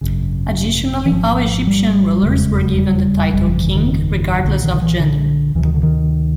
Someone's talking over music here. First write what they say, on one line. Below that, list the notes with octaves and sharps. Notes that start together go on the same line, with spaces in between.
Additionally, all Egyptian rulers were given the title 'king', regardless of gender.
G#1 F#2 C#3
E3
G#1 G#2 F3
G3
F1 E2 C#3 G#3
G3
G1 F2 C#3 G3
F3
E3
D#3
B1 A#2 D3
D#3
D#3
E3
D3
D2 C3 E3
D#3
D3
D#3